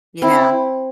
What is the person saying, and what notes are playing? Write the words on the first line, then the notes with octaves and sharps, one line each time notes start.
you know?
C4 E4